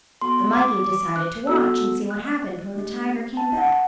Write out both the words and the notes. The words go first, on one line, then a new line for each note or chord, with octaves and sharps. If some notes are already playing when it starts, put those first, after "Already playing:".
The monkey decided to watch and see what happened when the tiger came back.
B3 F#4 A4 C6
D6
D6
F#6
B3 F#4 A4 E6
F#6
A3 D4 G4
A5
F#5